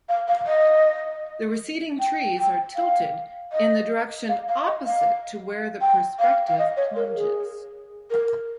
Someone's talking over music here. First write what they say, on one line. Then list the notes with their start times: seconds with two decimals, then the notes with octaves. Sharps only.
The receding trees are tilted in the direction opposite to where the perspective plunges.
0.09 F5
0.28 F5
0.46 D#5
2.00 G5
2.38 G5
2.76 F5
3.52 D#5
4.29 F5
4.48 F5
4.67 D#5
4.86 F5
5.81 G5
6.19 F5
6.47 F5
6.58 D#5
6.77 C#5
6.96 A#4
7.15 G#4
8.11 A#4